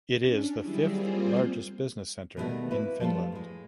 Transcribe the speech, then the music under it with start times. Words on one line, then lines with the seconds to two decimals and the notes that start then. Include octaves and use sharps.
It is the fifth largest business center in Finland.
0.19 C#4 D4
0.59 D#3 F#3 G3 E4 G4 G#4
0.90 G3 A#3 C4 F4 G#4 C5
2.37 B2 D#3 F3 G3 A3 B3
2.71 A#3 E4 B4
3.00 F3 G3 A3 D#4 F4 A4
3.32 A2 G#3